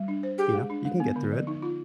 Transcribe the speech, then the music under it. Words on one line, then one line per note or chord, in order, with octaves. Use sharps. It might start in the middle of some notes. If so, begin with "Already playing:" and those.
you know, "You can get through it,"
Already playing: G3
D4
C5
G4 G#4
G#3
D4
G#3
B3
D3
F3
D#4
F4